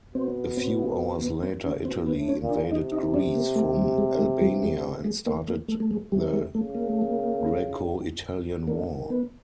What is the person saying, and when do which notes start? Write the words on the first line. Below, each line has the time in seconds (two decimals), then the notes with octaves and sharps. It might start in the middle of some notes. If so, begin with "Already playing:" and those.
A few hours later, Italy invaded Greece from Albania and started the Greco-Italian War.
0.15 B2 C4
0.57 C4
1.22 B3
1.43 C4
1.65 C#4
1.85 B2 C4
2.06 B3
2.14 A2
2.28 C#4
2.42 A#2
2.49 D4
2.71 C3 D#4
2.92 D#4
3.14 D4
3.35 A#3
3.56 A3
3.77 G3
3.98 G#3
4.19 G#3
4.41 G3
4.63 G#3
5.04 G#3
5.26 A#3
5.48 A#3
5.68 A3
5.80 A3
5.91 G#3
6.12 C3 G3
6.33 G#3
6.54 C#3 A3
6.75 A#3
6.89 A3
7.01 A#3
8.66 D3 A#3
8.95 D#3
9.10 B3